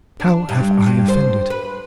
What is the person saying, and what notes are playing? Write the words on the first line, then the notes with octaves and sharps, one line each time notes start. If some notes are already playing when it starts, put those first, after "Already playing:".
"How have I offended?"
D4
G2
G2
C5
B4